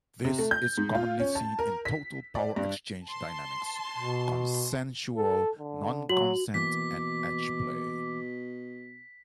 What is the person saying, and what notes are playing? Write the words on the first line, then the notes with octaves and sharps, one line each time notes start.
This is commonly seen in total power exchange dynamics, consensual non-consent, and edgeplay.
C3
A3
G6
G#2
F4
C#4
A5
A#4
B6
D5
G2
A5 C6
B2
A4
D3
F#3 F#4 F#7
B2 E3 A#3 D6 B6